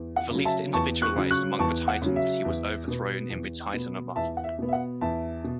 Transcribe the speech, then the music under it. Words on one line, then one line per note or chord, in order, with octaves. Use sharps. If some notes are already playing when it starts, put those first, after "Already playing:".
The least individualized among the Titans he was overthrown in the Titanomachy.
Already playing: E2
F#5
C#3 F#3
E5 A5
E2 A5 C#6
C#6 F#6
C#3 F#3
C#6 F#6
E2 A5 C#6
F#5
C#3 F#3
E5
E2
B2 B3
E2
B2 B3
E2 E5 A5
F#5
E5
B2 B3
E5
F#5
E2 E5 A5
B2